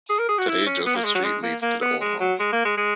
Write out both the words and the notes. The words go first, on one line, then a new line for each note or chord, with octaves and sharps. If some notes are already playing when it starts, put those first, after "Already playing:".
Today, Joseph Street leads to the old home.
G#4
A#4
G#4
F#4
E4
C#4
B3
A#3
G#3
F#3
G#3
A#3
A#3
B3
G#3
F#3
G#3
A#3
G#3
G#3